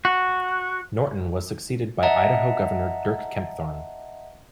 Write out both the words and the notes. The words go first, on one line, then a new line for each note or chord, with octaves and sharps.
Norton was succeeded by Idaho governor Dirk Kempthorne.
F#4
D#5 E5 F#5 A5 A#5